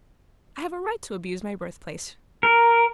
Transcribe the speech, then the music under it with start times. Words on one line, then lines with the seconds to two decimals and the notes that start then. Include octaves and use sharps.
I have a right to abuse my birth-place.
2.43 A#4